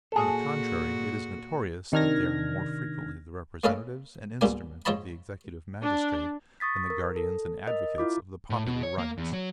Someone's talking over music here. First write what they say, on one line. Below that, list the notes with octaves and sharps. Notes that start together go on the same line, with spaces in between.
On the contrary, it is notorious, that they are more frequently the representatives and instruments of the executive magistrate, than the guardians and advocates of the popular rights.
A#2 F#4 G#4 A4
C3 D#3 D4 F6 G#6 A#6
A#3 C#4 A4 B4 D#5 F5
C2 G#2 B2 A#3 D4 G#5
G#2 F3 C#5 D#5 A5 B5
D4
C#6 D#6 A6 B6
A#4
A4
A#4 D#5
E4 F4 D6
A2
B2
C#5
A#3
E2
F#3